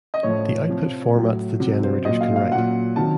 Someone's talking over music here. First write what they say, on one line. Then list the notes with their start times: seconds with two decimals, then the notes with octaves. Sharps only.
The output formats the generators can write.
0.14 D#5
0.23 A2 F3 C#5
0.69 C3 F3
1.15 A2 F#3
1.60 C3 F#3
1.83 C5
2.05 A#2 F#3 D#5
2.21 F5
2.36 F5
2.51 A#2 F#3 F#5
2.96 C3 D#3 F#3 A5